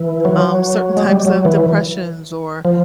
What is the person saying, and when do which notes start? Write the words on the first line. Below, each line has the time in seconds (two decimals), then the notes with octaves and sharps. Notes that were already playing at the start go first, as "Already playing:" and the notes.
um, certain types of depressions or,
Already playing: E3
0.25 F#3
0.97 G#3
1.05 G3
1.25 F#3
1.45 E3
2.65 F3